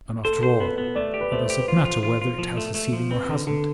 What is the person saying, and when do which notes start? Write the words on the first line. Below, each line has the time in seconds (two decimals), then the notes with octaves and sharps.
And, after all, what does it matter whether it has a ceiling or hasn't?
0.25 A4 C5
0.43 C5
0.60 B3 B4
0.78 B3
0.96 A3 D5
1.14 G4
1.21 B4
1.32 A3 C5
1.50 G4
1.59 B4
1.68 F4 C5
1.85 F4
2.03 F4
2.22 F4
2.39 F3
2.57 A3
2.74 A3
2.93 F3
3.11 C4 B4
3.29 D3
3.47 D3 A4